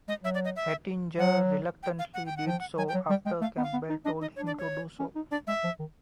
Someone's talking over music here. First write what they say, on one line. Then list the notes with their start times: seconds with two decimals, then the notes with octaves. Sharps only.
Hettinger reluctantly did so after Campbell told him to do so.
0.08 G#3 D#5
0.24 F#3 E5
0.34 D5
0.45 D#5
0.56 E5
1.19 F#3 F#5
1.83 G5
1.99 F5
2.14 F#5
2.26 G5
2.37 F#5
2.46 F3 G5
2.60 F#5
2.78 F#3 G#5
2.88 G5
2.94 F#3
3.10 G3 G5
3.25 G#3 G5
3.41 A3 F5
3.58 B3
3.63 F5
3.73 B3
3.90 D#4
4.05 D4 D#5
4.21 D#4 D#5
4.36 D4 C#5
4.47 D5
4.58 C#5
5.00 C#4
5.16 D#4
5.31 D4 D5
5.47 G#3 E5
5.64 F3
5.80 D#3